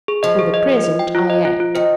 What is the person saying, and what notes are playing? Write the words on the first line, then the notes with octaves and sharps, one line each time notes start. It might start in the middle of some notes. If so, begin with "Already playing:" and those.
"For the present I am."
G#4
F3 D#5
G#4
D#5
D#5
D#5
G5
F4
D#5
F4
F4
D#3 C5